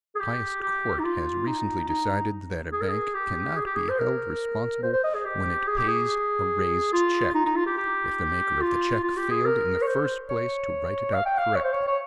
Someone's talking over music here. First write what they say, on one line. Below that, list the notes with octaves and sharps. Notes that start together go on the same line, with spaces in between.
The highest court has recently decided that a bank cannot be held responsible, when it pays a "raised" check, if the maker of the check failed in the first place to write it out correctly.
G#4
G4
G4
D#4
F4
D#4
D#4
G#4
A#4
G#4
G4
G#4
G4
G#4
C5
A#4
C5
C5
D#5
G#4
G4
G#4
G4
G#4
F4
D#4
D#4
F4
G4
G4
F4
F4
G4
G#4
A#4
C#5
C5
C#5
F5
G5
F5
C#5
C5
C#5
C#5